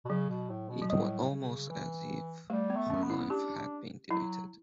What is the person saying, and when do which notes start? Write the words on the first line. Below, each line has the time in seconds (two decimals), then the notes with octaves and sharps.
It was almost as if her life had been deleted.
0.05 B2
0.09 C#3 F#3
0.30 B2
0.50 A2
0.70 B2
0.82 F#3
0.90 A2 G3
1.30 C#3
1.70 E3
2.50 G3 A3
2.70 B3
2.76 A3
2.90 C#4
3.03 B3
3.10 E4
3.30 D4 G4
3.57 D4
4.10 F#3 E4